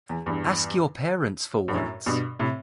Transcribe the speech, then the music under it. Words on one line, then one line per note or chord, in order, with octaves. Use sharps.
Ask your parents for once!
E2
E2 G2
G2
F#2 A2
G2 B2
A2 C3